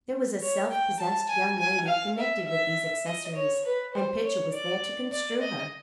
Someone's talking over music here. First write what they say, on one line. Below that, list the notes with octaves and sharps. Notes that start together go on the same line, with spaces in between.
There was a self-possessed young lady connected with these accessories; and Pitcher was there to construe her.
C#5
G5
A5
G#5
G#5
F5
E5
E5
D#5
C#5
B4
C5
C#5
D5
D5
D#5